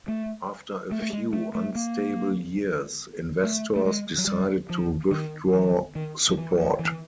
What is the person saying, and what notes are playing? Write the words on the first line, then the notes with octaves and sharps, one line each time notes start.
After a few unstable years, investors decided to withdraw support.
A3
A3
A3
G#3
A3
A3
A#3
A3
A3
G#3
F#3
G3
F3
D#3
E3
D#3
F3
E3
F3
E3